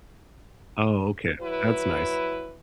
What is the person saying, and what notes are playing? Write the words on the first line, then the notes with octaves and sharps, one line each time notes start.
Oh, okay. That's nice.
F#3 E4 B4